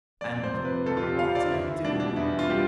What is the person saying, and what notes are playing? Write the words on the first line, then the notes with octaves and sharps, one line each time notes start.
"And what did he do?"
F2 D5
C5
C3 F3
B4
F2 A4
F4
G4
C3 F3 F5
D5
E2 E4
B2 G3 D4
D4
E2 E4
F4
G3 G4